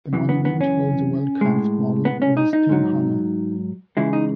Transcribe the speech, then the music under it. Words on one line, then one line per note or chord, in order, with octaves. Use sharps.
The monument holds a well-carved model of his steam hammer.
F#2 C#3 E3
B3
B3
C#4
A2 G#3
B3
C#4
D#4
D#4
G#2 F#3
C#2 C#3 E3 G#3 E4
D#4